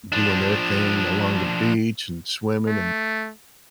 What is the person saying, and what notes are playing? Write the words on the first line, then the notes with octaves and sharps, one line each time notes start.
doing their thing along the beach and swimming and
F3 D4
A3